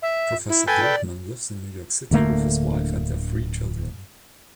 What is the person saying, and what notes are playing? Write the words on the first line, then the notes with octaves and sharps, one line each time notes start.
Professor Goldman lives in New York City with his wife and their three children.
E5
E4
A4 B4 G5 G#5
D5
D1 D3 A3 A#3